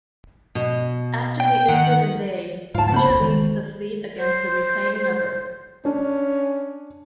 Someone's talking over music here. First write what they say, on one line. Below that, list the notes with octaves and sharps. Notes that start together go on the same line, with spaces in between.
After the Invid invade, Hunter leads the fleet against the reclaiming of Earth.
B2
G5
D#3 F#5
D2 G#2 F4 A5
C#3 A#3 B3 F#4 C5 B5
F1 C#2
D#3 G#3
C5
C#4 D4